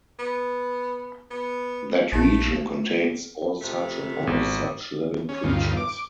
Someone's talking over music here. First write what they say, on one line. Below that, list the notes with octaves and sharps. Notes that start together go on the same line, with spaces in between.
That region contains all such and only such living creatures.
B3
B3
A#1 A3
F2 C3 A3
G#1
C#4
D2 G2 D#3 F4
D6